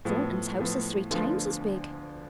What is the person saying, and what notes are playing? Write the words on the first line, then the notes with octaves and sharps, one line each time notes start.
Thornton's house is three times as big.'
A2 F3 B3
A2 F3 B3
D2 D3 F3 B3 F4